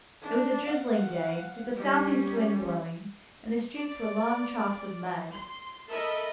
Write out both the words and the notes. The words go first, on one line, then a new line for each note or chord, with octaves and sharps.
It was a drizzling day, with a south-east wind blowing, and the streets were long troughs of mud.
D4
F5 F#5
G3 C#4
D5
C6
A4 A#4 D#5 E5 B5